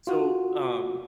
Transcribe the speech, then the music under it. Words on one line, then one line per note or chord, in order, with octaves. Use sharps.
so, um,
F4 F#4